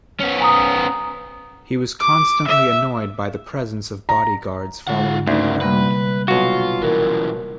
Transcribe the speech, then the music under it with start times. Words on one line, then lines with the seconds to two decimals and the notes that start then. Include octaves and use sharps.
He was constantly annoyed by the presence of bodyguards following him around.
0.20 B3 C#4
0.40 G#5 A#5 D#6
2.00 D6
2.48 E5
4.09 A#5
4.87 D3 G#3 F4 F#5
5.27 D2 C#3 A#3 D#4
5.61 C3 G3 A#3 B4
6.28 B1 F4 F#4
6.83 A#2 E3 A#4